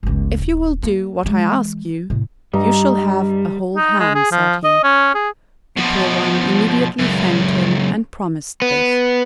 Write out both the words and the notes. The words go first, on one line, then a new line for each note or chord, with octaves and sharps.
"If you will do what I ask you, you shall have a whole ham," said he. The poor one immediately thanked him, and promised this.
G1 C#2
D#1
A#3
E3 G#3
A2 C3
G2 G3 D#4
D#4
G#3
G#4
F3
D#5
C#4
G#4
B2 F3
C#2 F#2
B3